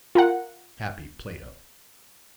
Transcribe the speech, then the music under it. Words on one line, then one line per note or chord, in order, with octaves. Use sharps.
Happy Plato!
F4 A#4 F#5